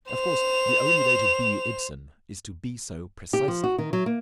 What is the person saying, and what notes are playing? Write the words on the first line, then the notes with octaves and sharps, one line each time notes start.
Of course the only way to be Ibsen is to be so precisely.
C5 F7
G4
F3
F#4
D#3
F#3
A#3